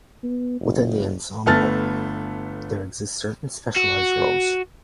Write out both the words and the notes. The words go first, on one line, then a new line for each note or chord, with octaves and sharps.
Within the ensemble there exist certain specialized roles.
B3
F#1
G1 A3 B3 A5 F6 A6
F#4